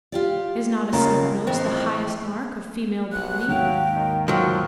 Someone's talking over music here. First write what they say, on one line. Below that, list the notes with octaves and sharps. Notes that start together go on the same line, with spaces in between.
"Is not a snubnose the highest mark of female beauty?"
F4 G4 D5
C#3 G3 A#3 C#4 F4 A#4
F2 A2 E3 G#3 C5 G5
B1 F#6
D#2 G#2 F#3 F5 G5
D#3
D#3 F3 F#3 C6